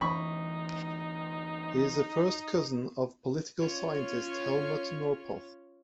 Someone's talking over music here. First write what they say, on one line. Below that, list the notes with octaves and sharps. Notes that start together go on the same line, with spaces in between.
He is a first cousin of political scientist Helmut Norpoth.
D2 E3 D#4 B5 C#6
C#4 F4 C#5